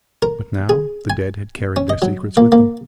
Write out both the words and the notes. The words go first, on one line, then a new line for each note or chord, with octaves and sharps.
But now the dead had carried their secrets with them.
A#4
G#4
G#5
C#4
D#5
F#3
A#3
A#3